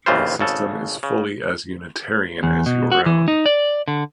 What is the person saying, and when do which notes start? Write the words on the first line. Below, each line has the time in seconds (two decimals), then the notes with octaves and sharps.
My system is fully as unitarian as your own.
0.06 A#1 D#2 C#3 E3 F4 C5
0.39 G#1 C#3 A4
1.03 C#3
2.43 E2
2.66 B2
2.92 F#4
3.06 E3
3.28 D#4
3.46 D5
3.88 D3